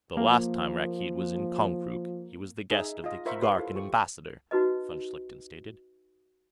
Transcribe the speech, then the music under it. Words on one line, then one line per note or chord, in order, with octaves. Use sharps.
"The last time Rakkeed was in Konkrook, he was the guest of the Keegarkan Ambassador," von Schlichten stated.
F3 A#3
D#4 G#4 E5
F4 D#5
F4 A#4 C5 E5 B5 C#6
G4 A#4 B4 C#5 C6
E4 F4 A4
G4 C#6
D#4 F#4 B4 D#5